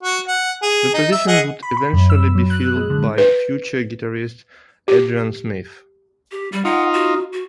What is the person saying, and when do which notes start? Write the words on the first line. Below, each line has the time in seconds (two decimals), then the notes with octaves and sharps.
The position would eventually be filled by future guitarist Adrian Smith.
0.03 F#4
0.28 F#5
0.63 G#4
0.94 D#4
1.12 E5
1.27 G#4 D#5 F#5
1.63 B5
1.77 B5
1.93 F#2
2.10 E6
2.35 F#3
2.50 F#6
2.76 G#3
2.90 D3
3.18 B4
4.88 G4
6.32 G4
6.52 G3
6.65 D#4 F4 F#5
6.94 F#4
7.33 F#4